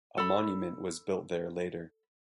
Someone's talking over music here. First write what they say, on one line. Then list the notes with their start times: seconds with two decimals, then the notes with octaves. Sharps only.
A monument was built there later.
0.18 A4 B5